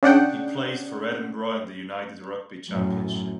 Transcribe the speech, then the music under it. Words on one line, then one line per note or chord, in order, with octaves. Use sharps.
He plays for Edinburgh in the United Rugby Championship.
C#3 D4 F#5 G5
F#2 A2